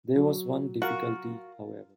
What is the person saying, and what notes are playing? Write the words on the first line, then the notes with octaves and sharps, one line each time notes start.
There was one difficulty, however.
F#3
F4 F#4 A#4